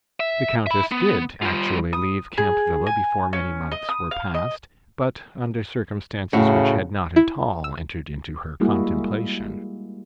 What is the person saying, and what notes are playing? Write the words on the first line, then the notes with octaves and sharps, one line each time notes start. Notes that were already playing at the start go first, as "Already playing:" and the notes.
The Countess did actually leave Camp Villa before many months were past, but under circumstances which had not at all entered into her contemplation.
E5
E5 B5
B3
G3 F4
D#6
G#4
G#5
C#4
D#5
D#6
F5
D#5
A2 C#3 F#4
E4
E6
G3 G#3 A#3 E4 F#4 G#4